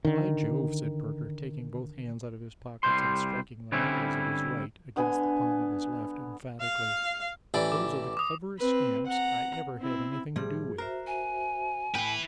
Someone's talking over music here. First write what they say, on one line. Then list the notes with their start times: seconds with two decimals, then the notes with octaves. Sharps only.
'By Jove!' said Perker, taking both hands out of his pockets, and striking the knuckles of his right against the palm of his left, emphatically, 'those are the cleverest scamps I ever had anything to do with!'
0.05 D3 D#3
2.83 C2 E3 G3 C5 C6
3.72 D3 G3 C4 C#4 E4
4.96 D3 B3 G#5
6.60 F5
7.54 A1 E3 D5
7.72 D6
8.17 D6 D#6
8.59 C4 B4
9.07 F#5 A#5
9.78 C4 E4
10.36 A2 F3 G3 G#4
10.78 F#4 A#4 C5 E5
11.07 G#5
11.95 A2 E4 B4 G5